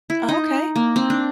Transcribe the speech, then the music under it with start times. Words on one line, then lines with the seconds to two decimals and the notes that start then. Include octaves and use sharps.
Oh, 'kay.
0.10 E4
0.29 D#4
0.76 A#3
0.96 C4
1.10 D4